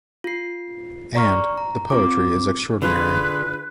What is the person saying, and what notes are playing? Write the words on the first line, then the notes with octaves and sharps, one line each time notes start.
And, the poetry is extraordinary.
F4 C7
D5 A#5 C#6 F6
A#5
C4 F4 D6
D3 F4 G#4 B4